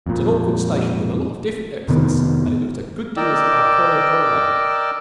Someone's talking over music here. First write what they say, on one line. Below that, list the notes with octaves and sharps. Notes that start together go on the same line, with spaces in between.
It is an awkward station with a lot of different exits, and it looked a good deal as if our quarry had got away.
F2 A#2
F2 C3 D#3 B3
A#4 D5 D#5 G5 D6 E6